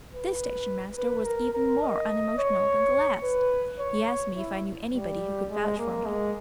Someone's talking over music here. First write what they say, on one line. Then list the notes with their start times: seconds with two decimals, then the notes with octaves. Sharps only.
This station-master was even more unemotional than the last. He asked me if I knew anybody who could vouch for me.
0.13 B4
0.97 B4
1.25 A#4
1.53 A#4
1.83 D#5
2.38 C#5
3.23 B4
3.80 C#5
4.37 E4
4.93 G3
5.49 G#3
5.78 A#3
6.06 G#3